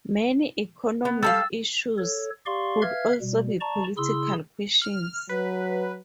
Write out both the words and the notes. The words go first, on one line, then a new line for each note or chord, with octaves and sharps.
Many economic issues could also be political questions.
B3
G3 A4 F5 E6 A6
A4 C#5
G4 D5 F5 C6 C#6
B4 E5 F5 F6 G#6
B2 G3
D5 A5 A#5 C#6
C#3 E4 G#4 C6 E6
F6
F#3 B4